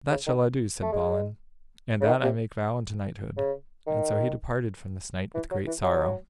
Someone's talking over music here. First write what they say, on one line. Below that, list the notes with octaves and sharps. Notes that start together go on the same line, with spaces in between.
That shall I do, said Balin, and that I make vow unto knighthood; and so he departed from this knight with great sorrow.
C#3
D#3
A3
G#3
C#3
D#3
C3
C#3
D#3
E3
F#3
E3
F#3